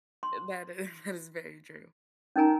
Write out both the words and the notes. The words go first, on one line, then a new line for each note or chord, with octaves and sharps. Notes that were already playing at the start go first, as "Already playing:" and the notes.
that is that is very true.
C6
C#4 D#4 A#4 G#5 A#5